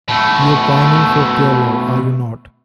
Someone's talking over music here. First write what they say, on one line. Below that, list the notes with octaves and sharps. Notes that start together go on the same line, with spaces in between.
You’re pining for pure love, are you not?
B2 A3